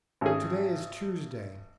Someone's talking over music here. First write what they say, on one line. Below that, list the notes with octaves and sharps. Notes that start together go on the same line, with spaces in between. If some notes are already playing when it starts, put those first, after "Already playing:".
To-day is Tuesday.
G#1 C#4 G#4